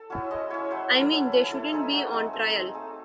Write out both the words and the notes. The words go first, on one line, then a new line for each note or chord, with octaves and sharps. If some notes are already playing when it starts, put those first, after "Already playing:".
I mean, they shouldn't be on trial.
Already playing: A4
C#4 E4 F#4
G#3 D#5
C#4 E4 C#5
F#3 C5
C#4 E4 A4
F#3
C#4 E4
A3 A4
C4 D#4 G#4
A3 F#4
C4 D#4 G#4
A3 G#4
C4 D#4
A3 G#4